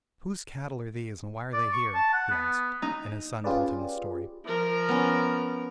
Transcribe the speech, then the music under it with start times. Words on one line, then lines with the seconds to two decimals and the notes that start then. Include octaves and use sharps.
'Whose cattle are these, and why are they here?' he asked; and his son told him the story.
1.53 D5
1.73 C#6
1.94 A5
2.14 F#5
2.31 B3
2.82 D#4
3.44 C#4 F4 G4 G#4 B4 D5
4.45 F3 A#4
4.89 B3 C#4